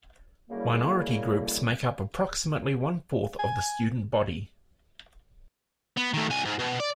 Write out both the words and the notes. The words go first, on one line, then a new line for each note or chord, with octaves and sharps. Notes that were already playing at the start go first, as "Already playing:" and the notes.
Minority groups make up approximately one-fourth of the student body.
F#2 A2 C#3 G3 A#3 E4
G#5
B3
D#3 A3
C2 G#5
G#2
B2
D5